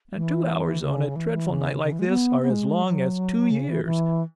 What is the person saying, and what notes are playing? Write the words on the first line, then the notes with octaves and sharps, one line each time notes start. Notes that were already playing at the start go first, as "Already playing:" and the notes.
And two hours on a dreadful night like this are as long as two years.
E3
C#3
E3
C#3
C#3
E3
G#3
B3
B3
G#3
F#3
C#3
E3
E3